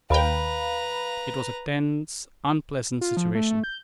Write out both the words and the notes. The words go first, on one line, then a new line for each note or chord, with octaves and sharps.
It was a tense, unpleasant situation.
D#2 B4 F5 G5 A#5 B5
F4
F3
A3
A3
G6